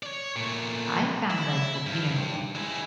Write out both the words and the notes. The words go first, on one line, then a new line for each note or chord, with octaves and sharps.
I found, like like, you know,
C#5 D5
A#2 A3
E4
G2
G#3 E4